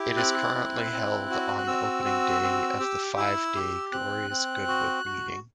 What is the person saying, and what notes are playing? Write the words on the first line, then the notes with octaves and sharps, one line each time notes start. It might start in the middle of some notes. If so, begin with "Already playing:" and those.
It is currently held on the opening day of the five-day Glorious Goodwood meeting.
Already playing: E4 G4
C4 F#6
E4
C4
F#4
F#6
C4 E6
F#4
C4
G4
E4 E6
G4
C4 F#6
C4
F#4
F#4